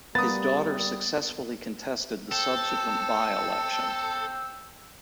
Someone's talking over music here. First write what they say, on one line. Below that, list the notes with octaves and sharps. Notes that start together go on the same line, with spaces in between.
His daughter successfully contested the subsequent by-election.
G3 A#3 B3 B4 D#6 A6
A4 G5 E6